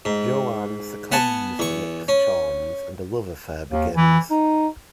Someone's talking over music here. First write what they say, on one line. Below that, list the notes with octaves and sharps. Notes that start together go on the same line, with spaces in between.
Jo Ann succumbs to Nick's charms and a love affair begins.
G#2
B3 F#5 G#5 A5
E2 C#6
C#4
D#2
E3
D#4